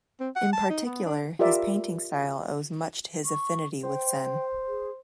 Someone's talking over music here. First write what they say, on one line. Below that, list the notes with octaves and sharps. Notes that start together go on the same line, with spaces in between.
In particular, his painting style owes much to his affinity with Zen.
C4
F#5
A5
D#4
B3
D4
F4 G4 A#4 D5 E5
C#6
C5 G5
G#4